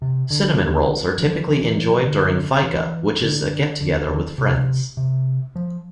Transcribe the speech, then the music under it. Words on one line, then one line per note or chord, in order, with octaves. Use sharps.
Cinnamon rolls are typically enjoyed during Fika which is a get together with friends.
C3
D3
E3
F3
E3
E3
F3
E3
D3
E3
D3
D3
C3
C3
F3